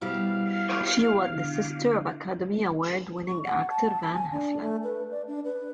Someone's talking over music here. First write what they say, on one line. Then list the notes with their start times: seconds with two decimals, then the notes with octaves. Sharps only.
She was the sister of Academy Award-winning actor Van Heflin.
0.01 B2 G3 B3 E4 C5 F5 F6
1.36 D3 D4
3.27 C#6
3.45 F#5
3.70 A5
4.14 G#5
4.32 D4
4.61 A3
4.84 B4
5.12 D5
5.28 D4
5.44 B4